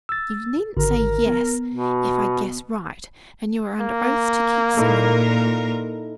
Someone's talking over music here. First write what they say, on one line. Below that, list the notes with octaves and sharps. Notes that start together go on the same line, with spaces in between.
'You needn't say yes, if I guess right and you are under oath to keep silent.
E6 A6
G#1 D3 A#4
B3
B2
A#3
A#2 D#4 E4 A4 A#4